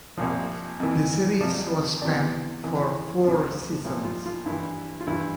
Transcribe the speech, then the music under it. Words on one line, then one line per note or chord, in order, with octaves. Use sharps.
The series was spanned for four seasons.
C2 A#2 F3
F2 E3
F2 C3 F3 D5
E2 C3 E3 D5
F2 E3
D2 C3 F3
C2 A#2 F3
F4
F4
G2 E3 E4
F4
G2 E3 E4